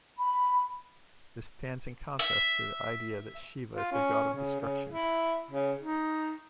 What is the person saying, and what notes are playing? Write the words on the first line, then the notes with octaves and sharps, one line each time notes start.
This stands in contrast to the idea that Shiva is the God of destruction.
B5
E5
F4
C#4
C#3
C#3
E4
C#3
D#4